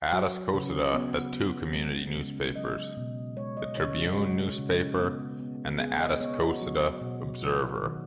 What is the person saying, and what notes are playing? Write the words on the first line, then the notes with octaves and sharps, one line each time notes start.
Atascocita has two community newspapers, "The Tribune Newspaper" and "The Atascocita Observer".
F#3 F#4
C#3 B4
B3
B3
G#3
C#3
F#3 D#5
B2
G#3 C#5
D#5
C#3 C#5
F#4
G#3 F#4
C#3
B3
B3
B3 G#4
D#5
B3 C#5
F#4
F#3 F#4
B2
F#3 F#4
D#3